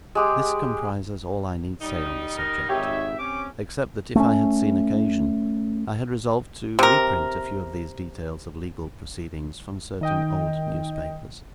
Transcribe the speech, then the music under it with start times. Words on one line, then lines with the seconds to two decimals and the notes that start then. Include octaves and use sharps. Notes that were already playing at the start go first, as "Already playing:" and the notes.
This comprises all I need say on the subject; except that if I had seen occasion, I had resolved to reprint a few of these details of legal proceedings, from certain old newspapers.
0.15 G#3 G4 G#4
1.81 G3 D#4
2.38 A#4
2.69 G#1 G4 C#5 E5
3.19 C4 C#4 D6
4.15 A3 C4 C#4
6.79 C3 A#4
10.01 D#3 D#5 G5